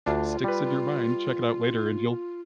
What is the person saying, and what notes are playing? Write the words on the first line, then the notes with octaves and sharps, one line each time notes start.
sticks in your mind, check it out later and you'll
D2 D4 F4
G3 B4